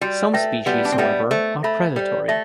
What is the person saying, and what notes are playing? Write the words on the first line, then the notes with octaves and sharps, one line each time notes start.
Some species however, are predatory.
G3 F#4
A3 B4 E5 G5
G3 B3 F#4
D4
C4
G3 B3 B4 E5 G5
A3 C5
A3 E5 B5
G3 C5
A3 E5